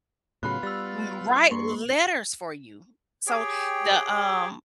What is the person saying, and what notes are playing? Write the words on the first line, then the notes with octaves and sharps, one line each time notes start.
M write letters for you. So the, um
A2 C#3 F#3 B3 F4 B5 F#6
G3 E6 A6
G2 A#3 C6 C#6
G4 G#4 C#5 G5